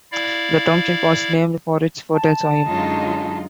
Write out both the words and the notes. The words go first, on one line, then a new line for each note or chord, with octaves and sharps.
The township was named for its fertile soil.
E4 D5 F5
A5
F#2 D3 F#3 G#3 D#4 F4